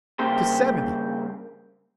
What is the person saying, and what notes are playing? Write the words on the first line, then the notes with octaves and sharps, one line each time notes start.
To seventy!
G2 C#3 A#3 G4 C5